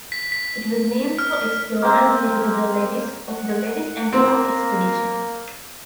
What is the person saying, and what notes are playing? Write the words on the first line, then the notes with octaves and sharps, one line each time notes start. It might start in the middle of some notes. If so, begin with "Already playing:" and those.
It was named for explorer Meriwether Lewis of the Lewis and Clark expedition.
B6
B6
F6
A#3 C4
F#5
A#3 C4